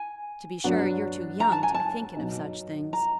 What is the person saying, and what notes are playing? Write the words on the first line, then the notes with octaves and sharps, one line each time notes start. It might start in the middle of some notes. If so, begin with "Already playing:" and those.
To be sure, you're too young to be thinking of such things.
Already playing: G#5
F#3 B3 D4 F#4
A#5
A5
G#5
A5
B2 F#3 B3 D#4
A#5